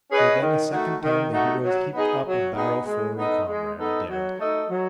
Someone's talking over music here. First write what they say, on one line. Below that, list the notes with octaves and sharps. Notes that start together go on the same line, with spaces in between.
For then a second time the heroes heaped up a barrow for a comrade dead.
C#4 G#4 B4 D#5
D#3
A3 D#4 F#4
D#3
A3 D#4 F#4
F#3
B3 D#4 G#4 D#5
F#3
B3 D#4 G#4 D#5
G#3
B3 D#4 A4 D#5
G#3
B3 D#4 A4 D#5
F#3
A3 D#4 A4 D#5
F#3